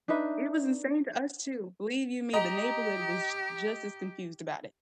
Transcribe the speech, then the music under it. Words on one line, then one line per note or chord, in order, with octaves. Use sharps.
It was insane to us, too, believe you me, the neighborhood was j just as confused about it.
D4 D#4 B4 E5
G4 D#5 A#5